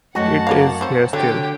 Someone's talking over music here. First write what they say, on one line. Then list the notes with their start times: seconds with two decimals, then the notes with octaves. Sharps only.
It is here still.
0.15 F#2 A3 F#4 D#5 F#5 A5
0.47 A#3 C#5 F5
0.81 C4 C5
1.13 D3 F#3 A3 G4 A4 C#5 G5